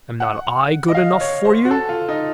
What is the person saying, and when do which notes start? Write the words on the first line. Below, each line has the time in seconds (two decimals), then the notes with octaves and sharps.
Am not I good enough for you?'
0.20 F#5
0.88 D#5
0.94 F5
1.21 C#5
1.45 C5
1.65 F#4
1.71 A4
1.89 F4
2.09 D#4